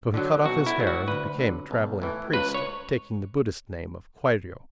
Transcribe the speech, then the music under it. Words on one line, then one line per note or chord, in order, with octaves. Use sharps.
So he cut off his hair, and became a traveling priest,--taking the Buddhist name of Kwairyo.
D3 F#3
B1 F#4
E4
A2 F#3
F#4
D2 B4
D3 F#3
B1
A2 E3
C#2 B4
C#5